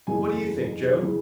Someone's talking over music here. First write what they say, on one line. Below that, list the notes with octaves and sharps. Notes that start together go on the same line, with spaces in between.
"What do you think, Joan?"
F#1 E2 C#3 E3 G#5
C#3 E3